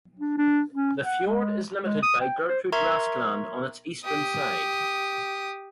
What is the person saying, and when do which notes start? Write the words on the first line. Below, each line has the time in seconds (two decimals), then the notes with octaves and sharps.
The fjord is limited by Gertrud Rask Land on its eastern side.
0.20 D4
0.38 D4
0.74 C#4
1.03 F#5
1.27 G#3
1.84 G#3
2.03 D#6
2.21 G5
2.48 C5
2.72 A#4 E5 A#5 C6 C#6 G#6
4.05 G4 D#6